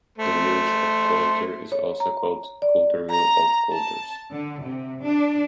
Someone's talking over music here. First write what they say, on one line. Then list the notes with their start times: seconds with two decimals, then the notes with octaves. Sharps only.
The village of Coulter is also called Coulterville or Coulters.
0.18 A3 C5
1.72 C#5
2.00 A#5
2.62 D5
3.12 A#5
3.73 A5
4.31 D3
4.64 C3
5.02 D4